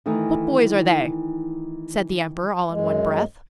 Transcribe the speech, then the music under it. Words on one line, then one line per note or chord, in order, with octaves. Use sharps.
What boys are they?' said the emperor all in one breath.
D#3 E3 A3 D#4
F#2 G#3